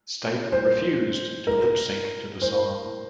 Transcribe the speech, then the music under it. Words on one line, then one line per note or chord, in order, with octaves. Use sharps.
Stipe refused to lip sync to the song.
C5
A#4
C5